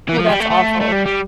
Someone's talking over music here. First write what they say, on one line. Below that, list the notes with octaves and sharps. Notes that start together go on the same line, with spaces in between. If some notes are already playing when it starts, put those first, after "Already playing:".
Oh, that's awful.
E3
F3
G3
A3
A3
A3
G3
G3